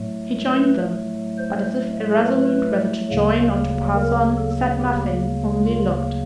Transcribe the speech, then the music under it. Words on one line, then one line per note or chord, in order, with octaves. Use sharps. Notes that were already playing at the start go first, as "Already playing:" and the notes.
He joined them; but, as if irresolute whether to join or to pass on, said nothing, only looked.
Already playing: A2 F#3 A3
B4
C5
B4
D2 C#3 F#3 A#3
A#4
A4
G4
F4